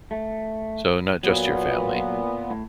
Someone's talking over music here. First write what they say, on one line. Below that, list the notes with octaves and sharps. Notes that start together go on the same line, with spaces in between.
so, not just your family.
A3
A#2 F#3 B3
A2